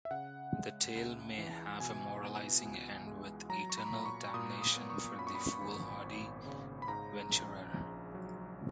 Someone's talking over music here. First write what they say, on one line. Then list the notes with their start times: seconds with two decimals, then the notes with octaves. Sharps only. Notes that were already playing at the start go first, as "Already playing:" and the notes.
The tale may have a moralizing end, with eternal damnation for the foolhardy venturer.
0.05 E5
0.11 C#3 F#5
0.53 G#3
0.95 C#2
1.38 E3
1.80 B2 G#5
2.22 B3
2.65 C#2
3.07 G#3
3.49 F#3 A#5
3.70 C#6
3.78 B5
3.92 A#2
4.06 C#6
4.34 A#2 D#6
4.62 D#6
4.76 B3
4.90 C#6
5.19 F#2 B5
5.27 C#6
5.35 B5
5.61 G#1
6.03 G#1
6.46 C#3
6.82 B5
6.88 G#2 A#5
7.30 A#1
7.73 A#1
8.15 F#3